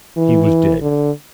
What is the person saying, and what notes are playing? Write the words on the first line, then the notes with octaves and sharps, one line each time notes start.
He was dead!
E3
D3